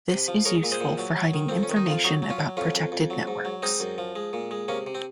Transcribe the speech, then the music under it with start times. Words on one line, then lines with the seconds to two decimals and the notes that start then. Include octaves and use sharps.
This is useful for hiding information about protected networks.
0.10 C3
0.28 F3
0.45 G#3 A#4 C#5
0.63 A#2
0.72 G#4 C5
0.80 A#2
0.98 F#3
1.16 F#3
1.34 D#3
1.49 F2 C4
1.63 C#4
1.69 D#3
1.76 D#4
1.87 F2 F4
2.04 F#3 D#4 F#4
2.22 F#3
2.30 C#4 F4
2.39 F#3
2.57 F2 C#4 F4
2.75 F2
2.92 F2
3.10 F#3
3.27 G#2
3.45 F#3
3.62 G#3 C4 D#4
3.80 F#2
3.98 F3
4.16 G#3
4.33 A#2
4.51 G#3
4.68 C3 A#3 C#4
4.87 C3
4.95 C4